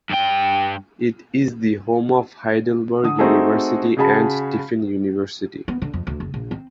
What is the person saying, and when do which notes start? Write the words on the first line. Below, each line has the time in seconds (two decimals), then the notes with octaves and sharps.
It is the home of Heidelberg University and Tiffin University.
0.10 G2 G5
3.03 D3 D#6
3.19 A3 C4 D#4 F#4 G#4 A4
3.97 C#3 F#4 G#4 A5 B5
5.68 B3
5.82 D3
5.93 F2
6.07 D2
6.20 F#1
6.34 A#1
6.51 C4